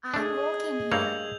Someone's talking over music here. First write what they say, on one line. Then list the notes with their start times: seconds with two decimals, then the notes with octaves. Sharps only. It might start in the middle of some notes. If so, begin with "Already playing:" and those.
I'm walking here!
0.14 A3 D4 G#4 D#5
0.92 G2 A#3 C#5 E6 G6 F7